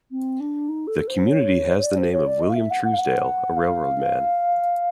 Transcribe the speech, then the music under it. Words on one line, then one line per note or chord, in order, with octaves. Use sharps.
The community has the name of William Truesdale, a railroad man.
C4
D4
D#4
A4
C5
C#5
C#5
D5
C5
C#5
D5
D#5
F5
E5
F#5
F#5
F5
F#5
F5